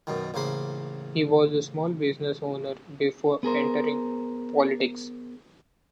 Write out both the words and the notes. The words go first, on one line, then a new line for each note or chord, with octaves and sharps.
He was a small business owner before entering politics.
F#2 B2 D#3
A1 C#3 A#3 C5 B5
B3 G#4 A#4 C5